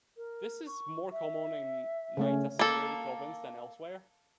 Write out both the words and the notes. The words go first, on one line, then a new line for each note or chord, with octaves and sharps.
This is more common in Naitasiri Province than elsewhere.
A#4
C#6
E5
C#3 A3 C#4
A#3 A4